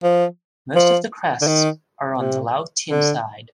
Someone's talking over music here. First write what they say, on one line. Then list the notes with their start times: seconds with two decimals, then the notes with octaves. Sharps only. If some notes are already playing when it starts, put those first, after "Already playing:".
Most of the crests are on the Laotian side.
0.03 F3
0.75 F3
1.41 D3
1.47 D#3
2.18 C3
2.90 D3